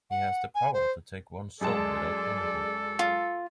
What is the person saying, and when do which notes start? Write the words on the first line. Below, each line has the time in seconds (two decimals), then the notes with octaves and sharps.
He has the power to take one's soul without permission.
0.11 F#5
0.55 G#5
0.74 C5
1.61 F#2 G#3 G#4 A4 D5 A5
2.99 F4